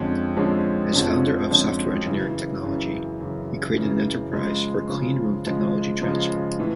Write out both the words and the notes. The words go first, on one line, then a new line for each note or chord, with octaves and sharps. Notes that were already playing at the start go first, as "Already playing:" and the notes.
As founder of Software Engineering Technology, he created an enterprise for Cleanroom technology transfer.
Already playing: F2 D3 F3 G#3 C#4
F2 D3 F3 G#3 C#4
F2 D3 F3 G#3 C#4
F2 D3 F3 G#3 C#4
F#2 C#3 E3
F#2 C#3 E3
F#2 C#3 E3
F#2 C#3 E3
C#3 F3 G#3
C#3 F3 G#3
C#3 F3 G#3
C#3 F3 G#3
A2 E3